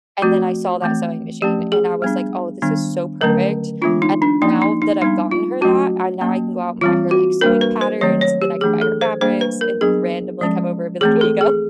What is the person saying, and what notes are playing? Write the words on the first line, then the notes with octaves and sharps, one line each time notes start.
And then I saw that sewing machine and I was like, "Oh this is so perfect," and now that I've gotten her that, and now I can go out and buy her, like, sewing patterns, then I can buy her fabrics and randomly come over and be like, "Here you go."
F3 A3 C4 F#4
E3 A3 C4
F3 A3 C#4 G4
G#4
G3 B3 D4
D#3 G3 B3 D4
D3 F#3 A3 C#4 A#4
E3 G#3 B3 D4 F4
D#4
D4
F3 A#3 C#4 D#4
D#4
D#4
G3 B3 D4 D#4
F4
F#3 A3 C#4 F#4
F#3 A#3 C#4
E3 G3 C4 F4
F#4
G3 A#3 D4 A#4
B4
C5
D#3 F#3 A3 C4 C#5
C#5
G4
E3 A3 D4 G#4
A4
C5
G3 A#3 D4 C5
B4
A#4
F#3 B3 D4 G#4
F3 G#3 C#4
E3 A3 C4 G#4
A4
G#4